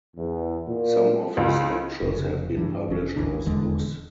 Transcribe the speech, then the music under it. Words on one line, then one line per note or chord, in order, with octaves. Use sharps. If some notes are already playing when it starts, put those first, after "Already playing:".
Some of his lectures have been published as books.
E2
A#2
C#2
F1 C#3
G2 E3
F1 C#4
G#1 D#2 E3 D4
D#1 E2 D3 G#3